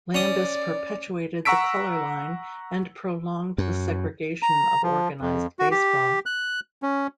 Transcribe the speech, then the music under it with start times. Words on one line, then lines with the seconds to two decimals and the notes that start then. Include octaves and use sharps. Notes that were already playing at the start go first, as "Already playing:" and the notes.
Landis perpetuated the color line and prolonged the segregation of organized baseball.
0.14 C#4 D5 D#6
1.45 F#5 A#5 C#6 E6 B6 D7
3.58 F#2
4.43 A#5
4.83 F3
5.21 F2
5.59 F#4
5.71 G4
6.26 F#6
6.83 C#4